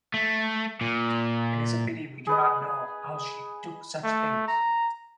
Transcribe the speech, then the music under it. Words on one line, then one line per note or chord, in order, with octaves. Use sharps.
It is a pity we do not know how she took such things.
A3
A#2
G#4 B4 D#5
A3
A#5